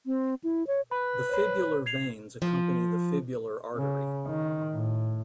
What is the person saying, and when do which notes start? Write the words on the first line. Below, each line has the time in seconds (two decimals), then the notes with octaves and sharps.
The fibular veins accompany the fibular artery.
0.06 C4
0.44 E4
0.67 C#5
0.91 B4 B5
1.29 C5 C#5 B5
1.86 G#6 C7 F7
2.42 F3
3.76 C#3
4.27 D#3
4.74 A2